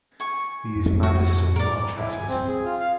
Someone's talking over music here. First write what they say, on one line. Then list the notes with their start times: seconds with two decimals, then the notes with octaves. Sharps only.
He is mad as some March hatters.
0.20 G#5 C#6
0.75 F2
1.03 F#4
1.56 A2 A#4 D5
1.95 E4
2.09 G#5
2.28 C4
2.48 G#4
2.64 F4
2.80 F5